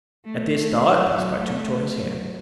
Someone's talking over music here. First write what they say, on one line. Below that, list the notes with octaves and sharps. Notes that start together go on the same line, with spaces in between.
At this thought Passepartout tore his hair.
A3
A3
F#3
F#3
A3
F#3